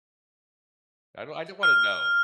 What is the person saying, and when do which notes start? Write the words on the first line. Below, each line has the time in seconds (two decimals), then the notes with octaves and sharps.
I don't I don't wanna know.
1.63 F6